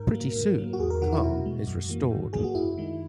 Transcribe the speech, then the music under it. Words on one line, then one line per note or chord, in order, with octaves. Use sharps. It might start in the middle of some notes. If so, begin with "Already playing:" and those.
Pretty soon, calm is restored.
Already playing: G#2 A#4
F#3 A#3
G#2
F#3 A#3
F#4
E2 G#4
A#4
D#3 F#3 F#4
E4
B2 F#4
G#3
F#2
E3 A#3
G#2
F#3 A#3 G#4
F#4
F#2 E4
D#3 G#3